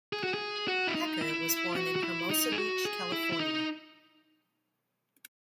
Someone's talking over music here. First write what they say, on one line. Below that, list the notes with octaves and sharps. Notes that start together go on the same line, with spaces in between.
Hecker was born in Hermosa Beach, California.
G#4
F#4
G#4
F#4
E4
D#4
E4
F#4
F#4
E4
D#4
G#4
F#4
G#4
E4
E4
D#4